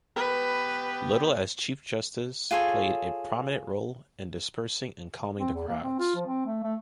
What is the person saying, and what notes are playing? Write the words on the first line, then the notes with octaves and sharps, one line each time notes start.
Little, as Chief Justice, played a prominent role in dispersing and calming the crowds.
B3 G4 B4
F4 G#4 A4 C#5
C4
E2
A#3
C4
F4
F3
C4
A3
A3